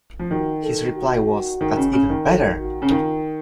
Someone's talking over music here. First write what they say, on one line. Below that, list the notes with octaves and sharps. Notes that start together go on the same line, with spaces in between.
His reply was, That's even better!
F3
D#3 F#4
A4
F#4
D#3
C#3
C#3
D#3
A4
F#4
C#3
D#3 F4